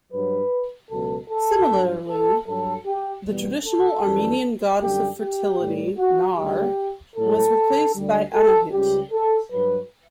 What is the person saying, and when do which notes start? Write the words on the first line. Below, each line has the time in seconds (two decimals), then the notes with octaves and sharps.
Similarly, the traditional Armenian goddess of fertility, Nar, was replaced by Anahit.
0.11 G2 F#3 B4
0.90 C#2 B2 F#3 A4
1.29 A4
1.68 G2 F#3
2.07 A4
2.47 G2 F#3 A4
2.85 G4
3.24 E2 B2 G3
3.65 A4
4.04 F#2 E3 G3
4.81 F#2 D3 G3 G4
5.20 G4
5.59 A2 G3
5.98 F#4
6.37 D2 C#3 G3 G4
7.16 A2 F#3 A4
7.95 D2 D3 G3
8.33 A4
8.72 C#2 C#3 G3 G4
9.11 A4
9.51 G2 F#3 B4